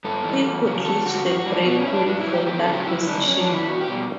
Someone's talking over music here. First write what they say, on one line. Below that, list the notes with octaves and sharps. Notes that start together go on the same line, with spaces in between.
He could reach the brake wheel from that position.
G2 A4
E3 G3
E2
C#3 F#3
E2 A4
D3 G3 F#4
G2 F#4
F#4
E3 G3
D4
B2 B3
C#4
G3 E4
D4
G2 D4
E4
F#3
G4
E2 G4
A4
C#3 F#3
G4
F#2 E4
D3 G3 D4
F#2 C#4
D4
E3 G3
E4
E2 F#4
G4
B2 G3